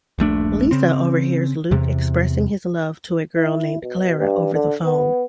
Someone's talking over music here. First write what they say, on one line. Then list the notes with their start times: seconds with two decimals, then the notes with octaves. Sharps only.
Lisa overhears Luke expressing his love to a girl named Clara over the phone.
0.19 D#1 A#1 A3 D4
0.71 C#3 C4
1.71 E2 C3
3.36 E4
3.82 B2
4.18 G2
4.54 D3
4.85 B3